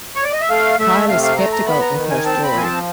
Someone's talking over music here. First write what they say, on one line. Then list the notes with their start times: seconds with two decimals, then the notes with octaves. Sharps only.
Kyle is skeptical of her story.
0.16 C#5
0.24 D5
0.33 D#5
0.41 E5
0.50 A3 F5
0.79 A3 E5
1.08 C3 F5
1.23 F5
1.38 A3 A#5
1.52 A#5
1.66 B3 B5
1.81 A#5
1.96 D#3
2.11 G#5
2.25 C4 A5
2.44 B5
2.54 F3 G#5
2.64 A5